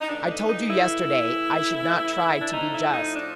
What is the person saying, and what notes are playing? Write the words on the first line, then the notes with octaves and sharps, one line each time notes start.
I told you yesterday I should not try to be just.
D#4
C#3 E3 A3 D4
D#4
D#4
E4
D4
A2 F3 A3 D#4
E4
D#4
D4